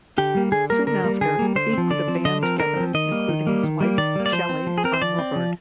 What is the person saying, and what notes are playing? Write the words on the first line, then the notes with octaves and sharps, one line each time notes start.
Soon after, he put a band together, including his wife, Shelly on rubboard.
D3 G4
G3 A#3
D3 G#4
G3 A#3 A#4
D3 A#4
G3 A#3
D3 G#4
G3 A#3
D3 C5
F3 C4
D3 D5
F3 C4
D3 D#5
F3 C4 A#4
D3 A#4
F3 C4
D#3 D#5
G3 A#3
D#3
G3 A#3
D#3
G3 A#3
D#3 D5
G3 A#3
D5
F3 C5
C4
F3
G#4
C4 A#4
C5
F3 D5
C4
F3